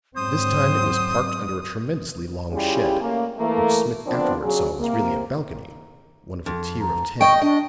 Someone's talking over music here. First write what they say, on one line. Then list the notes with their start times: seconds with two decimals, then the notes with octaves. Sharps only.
This time it was parked under a tremendously long shed, which Smith afterward saw was really a balcony, one of a tier of ten.
0.16 G#2 F#3 C4 C5 D#6
2.52 G3 C#4 E4 F4 G4 G#4
3.01 A3 A#3 C#4
3.38 E3 A3 A#3
4.07 D3 F3 B3 C4 D4
4.43 C#3 F#3 G#4
4.80 C3 A#3
6.46 F2
6.81 A#5
7.21 D#5 G5 C#6
7.41 D4 D#5